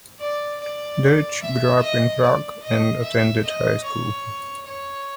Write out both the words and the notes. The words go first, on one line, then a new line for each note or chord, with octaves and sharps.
Deutsch grew up in Prague, and attended high school.
D5
D5
E5
D#5
D5
D#5
E5
D#5
C#5
C#5